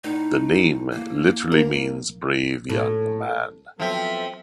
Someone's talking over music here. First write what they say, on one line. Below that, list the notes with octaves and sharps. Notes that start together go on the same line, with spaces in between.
The name literally means "brave young man".
A2 D#4
A#3
A#4
A2
F3 F#3 B3 C4 A4 E5